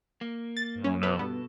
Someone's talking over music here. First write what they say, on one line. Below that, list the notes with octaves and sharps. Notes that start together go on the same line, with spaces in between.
Oh, no.
A#3
A6
C#4
B2 A4 B4
G2 B3